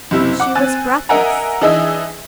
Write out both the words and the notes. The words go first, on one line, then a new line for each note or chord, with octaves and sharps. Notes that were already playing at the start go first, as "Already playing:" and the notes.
She was breathless.
F#1 C3 E4
F#5 D6
C4 G#5 F#6 A6
A#4 D#5 E5 F#5 G#5 A#5
E3 D4 D#4 G#4 D#5 E5